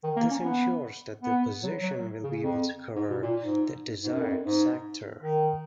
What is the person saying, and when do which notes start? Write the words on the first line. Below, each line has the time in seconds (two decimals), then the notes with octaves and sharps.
This ensures that the position will be able to cover the desired sector.
0.03 D#3
0.17 A#3
0.31 C#4
0.43 B3
1.23 B3
1.63 F#3
1.83 F#3
2.24 C#3
2.43 F2
2.96 G#2
3.10 B2
3.23 A#2
3.43 G#2
4.03 G#2
4.12 F#2
4.21 F2
4.30 F#2
4.43 G#2
5.22 D#3